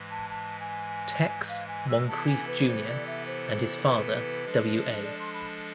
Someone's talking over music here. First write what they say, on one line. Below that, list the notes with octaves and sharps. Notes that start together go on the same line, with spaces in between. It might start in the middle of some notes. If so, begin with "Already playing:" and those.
"Tex" Moncrief Junior and his father W. A.
Already playing: G#2 E3 G#3
A5
A5
G#5
F5
G#5
E6
C3 E3 B3 E4 A4 A5
G#5
B4
C5
D5
E5
C5
B4
F3 G#3 D4 A4
D5
C6
B5